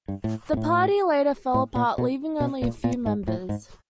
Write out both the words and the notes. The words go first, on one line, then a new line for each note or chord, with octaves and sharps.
The Party later fell apart leaving only a few members.
G2
A2
G#2
A2
A2
A#2
B2
B2
A#2
A#2
G#2
A2
G#2